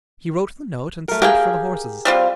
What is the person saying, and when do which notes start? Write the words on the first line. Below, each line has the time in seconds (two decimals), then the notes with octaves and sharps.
He wrote the note, and sent for the horses.
1.08 A3 A#4
1.22 G4 G#4 A#4 F5 G5
2.05 G3 C4 F4